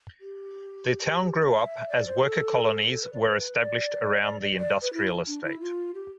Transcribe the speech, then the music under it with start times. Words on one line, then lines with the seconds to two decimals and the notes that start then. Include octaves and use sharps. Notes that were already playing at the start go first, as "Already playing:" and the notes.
The town grew up as worker colonies were established around the industrial estate.
0.21 G4
1.47 D5
1.55 E5
1.89 D5
2.07 C5
2.23 A4
2.91 A4
3.02 B4
3.13 D5
3.25 B4
3.58 D5
4.59 D5
4.82 B4
4.94 E4
5.27 D4
5.44 E4
5.61 F4
5.95 G4